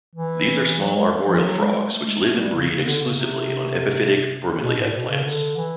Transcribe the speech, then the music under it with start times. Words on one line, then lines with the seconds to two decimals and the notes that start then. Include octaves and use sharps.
These are small arboreal frogs which live and breed exclusively on epiphytic bromeliad plants.
0.15 E3
0.80 F#3
0.95 G#3
1.27 F3
1.42 F#3
1.58 G#3
1.75 G#3
1.90 A3
2.06 G#3
2.22 A3
2.38 G3
2.54 C#3
2.70 C#3
2.86 D3
3.02 C#3
3.18 C3
4.62 B2
4.77 A2
4.93 B2
5.09 C#3
5.24 D3
5.57 E3